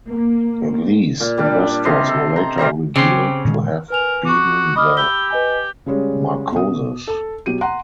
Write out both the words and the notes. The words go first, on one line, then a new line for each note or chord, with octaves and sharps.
These investors were later revealed to have been the Marcoses.
A#3
A#2
G3 D4
C3 D#5 C6
A4
A#5 C6
C3 G3 C5 A#5
C#3 C4 G4 C6
A#2 D#3 G#3
A#4 B4 G#5 F7
F#4 C#6 D6
D#5 B5 D6 F6
G4 B5 E6 G7
B4 D#5 G#5
C#3 G3 G#3 C#4
B2 D#6
A4
B2 F#3 G4 D#7
F#5 A#5 C6